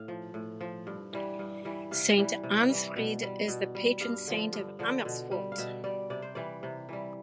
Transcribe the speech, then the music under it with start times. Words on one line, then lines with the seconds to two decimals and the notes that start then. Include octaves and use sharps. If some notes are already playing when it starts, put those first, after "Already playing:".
Saint Ansfried is the patron saint of Amersfoort.
Already playing: A2 F5
0.08 F3
0.34 A2
0.61 F3
0.87 G2
1.13 E3 G3
1.39 G2
1.65 E3 G3
1.91 C3 F5
2.18 E3 G3
2.43 C3
2.69 E3 G3
2.96 B2
3.23 G3
3.48 B2
3.75 G3
4.01 G2 F5
4.27 D3 F3
4.53 G2
4.79 D3 F3
5.05 B2
5.31 G3
5.52 F5
5.58 B2 E5
5.84 G3 D5
6.10 C3 D5
6.22 C5
6.35 E3 G3 D5
6.63 C3
6.89 E3 G3